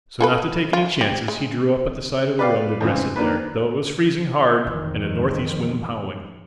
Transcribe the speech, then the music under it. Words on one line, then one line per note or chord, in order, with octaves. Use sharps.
So not to take any chances he drew up at the side of the road and rested there, though it was freezing hard and a north-east wind howling.
F4 A4 B4
F4
G4
G#3
B4 D5 F5 G5
F2 G#2 C#3 E3
D#3 A#3 D4 B4
F2 D#3 E3 G#3